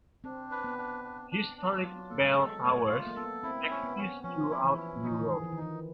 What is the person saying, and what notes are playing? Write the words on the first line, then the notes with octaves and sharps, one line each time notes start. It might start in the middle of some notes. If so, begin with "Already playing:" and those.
Historic bell towers exist throughout Europe.
C4 D4
B4
B3
D4
D4
D4
D4
F#3 F4
A4
G#3
A4
A3 C#5
F4
A#3
B3 A4
C4 E4
C#4
B3
C#4
F3 C#4
E4
E3
C#4
F3 D#4
E3
D#3
E3 G#4
E3
D#3
D#4
E3